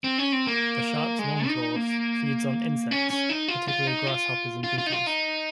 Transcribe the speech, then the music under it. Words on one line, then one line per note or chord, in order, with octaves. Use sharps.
The Sharpe's longclaw feeds on insects, particularly grasshoppers and beetles.
C4
C#4
C4
A#3
G#3
D#4
A#3
C#4
C#4
D#4
F4
F4
D#4
F4
F4
F4
D#4
F4
D#4